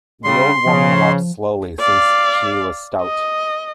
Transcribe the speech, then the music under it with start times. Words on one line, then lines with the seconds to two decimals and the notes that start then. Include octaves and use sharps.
The old woman walked slowly, since she was stout.
0.24 C#3 G3 C6
0.66 C#3 F3
1.79 D5 F5
3.01 D#5